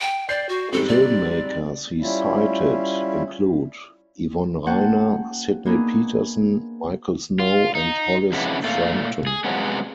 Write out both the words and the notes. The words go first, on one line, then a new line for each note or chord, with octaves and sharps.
Filmmakers he cited include Yvonne Rainer, Sidney Peterson, Michael Snow, and Hollis Frampton.
G5
D5 G6 C7
F#4
G#2 G3 C4 A4
D5
G3 C#4 E4 F4
A#3 C#4 F4 F#5 G5 A5
A#3 B3 D4 D#4 G#4
F4
D#4
F2 C#3 G#3 B3 D4 E4
A#2 A3 F4
G#4
C3 F3 F#3 G#3 B3 C#4